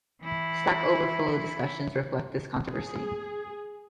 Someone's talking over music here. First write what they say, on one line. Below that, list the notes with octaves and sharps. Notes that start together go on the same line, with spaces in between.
Stackoverflow discussions reflect this controversy.
E3 E4
G#4